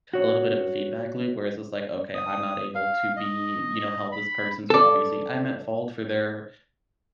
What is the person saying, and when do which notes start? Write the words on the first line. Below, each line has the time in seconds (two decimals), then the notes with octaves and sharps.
a little bit of a feedback loop, where it's just like, "Okay, I'm not able to be" you know, "help this person, so, obviously, I'm at fault for their
0.13 F#4 C#5
2.15 D#6
2.75 F5
3.17 D#5
4.12 B5
4.70 A4 D5